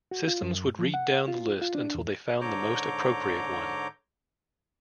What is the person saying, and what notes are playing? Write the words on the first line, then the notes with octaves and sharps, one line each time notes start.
Systems would read down the list until they found the most appropriate one.
F#4
F4
F#2
F3
F#5
F4
F4
D4
E2
G#2 D3 C#5 A#5 D6 G6